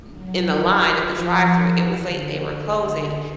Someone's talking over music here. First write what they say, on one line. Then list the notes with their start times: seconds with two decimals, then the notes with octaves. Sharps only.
th in the line at the drive-thru, it was late, they were closing,
0.11 F#3
0.74 F3
1.69 E3
2.00 D3
2.31 D3
2.63 D3